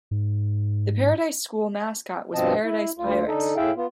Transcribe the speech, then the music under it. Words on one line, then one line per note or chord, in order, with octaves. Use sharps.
The Paradise school mascot was Paradise Pirates.
G#2
G2 B2 F3 C4 D#5 A5
E4
D2 F4
D3 D#4 A4
A2 E4 G#4 E5 F5 G5
B3 F4